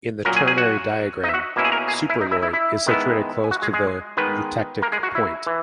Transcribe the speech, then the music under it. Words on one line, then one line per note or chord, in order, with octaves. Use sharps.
In the ternary diagram, Superloy is situated close to the eutectic point.
A#2 F#3 C#4 A#4 A#5
G#4 G#5
G#4 G#5
F#4 F#5
D#4 D#5
E5
F#4 F#5
B2 A#3 C#4 E4
G#4 G#5
A#4 A#5
G#4 G#5
E4 E5
D#4 D#5
E4 E5
E4 E5
E4 E5
D#3 G#3 B3 E4
G#5
F#4 F#5
G#3 G#4
G#3 G#4
D#3 G#3 B3 B4
A#3 A#4
G#3 G#4
F#4
E4
E3